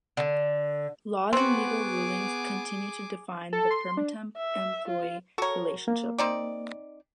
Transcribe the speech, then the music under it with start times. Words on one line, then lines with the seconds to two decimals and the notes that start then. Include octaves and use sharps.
Laws and legal rulings continue to define the permatemp-employee relationship.
0.17 D3
1.33 B3 C4 F#4 G#4 D6
3.53 A4
3.71 C6
3.97 D4
4.37 E5
4.88 F4
5.38 F#4 A4 A#4 C#5
5.88 A#3
6.18 C4 D#4 D5